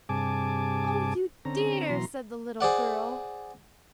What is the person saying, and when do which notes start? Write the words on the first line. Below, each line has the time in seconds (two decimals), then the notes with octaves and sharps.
"Oh, you dear!" said the little girl.
0.09 G2 C3 G#4 G#5 A5 D6
1.45 D3 C4 C#4 A#5
1.89 B2 E3 F#3 A#5 C6
2.61 G#4 C5 D5 F#5